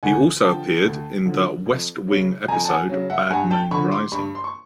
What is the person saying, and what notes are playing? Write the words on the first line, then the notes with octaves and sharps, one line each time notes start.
He also appeared in "The West Wing" episode "Bad Moon Rising".
D2 F#5 G#5
D3 F3 G5 A5
D2
D3 F3
F2
C#3 F#3
F2 G#5 A#5
A5
F#5 G#5
C#3 F#3
E5 F#5
G2 F#5 G#5
G5 A5
D3 F3 B5 C#6
C6 D6
G2 B5 C#6
C6
C#6